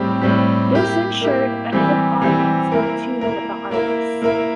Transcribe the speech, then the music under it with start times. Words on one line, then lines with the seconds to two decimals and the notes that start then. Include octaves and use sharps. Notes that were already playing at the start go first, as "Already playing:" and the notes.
This ensured a hip audience in tune with the artists.
Already playing: A2 G3 C4 G4
0.22 A2 G3 C4 G4
0.72 A#3 E4 G4
1.21 A#3 E4 G4
1.72 E3 G3 C4 G4
2.22 E3 G3 C4 G4
2.72 A#3 E4 A#4
3.21 A#3 E4 A#4
3.71 A#3 E4 A#4 E5
4.22 A#3 E4 A#4 E5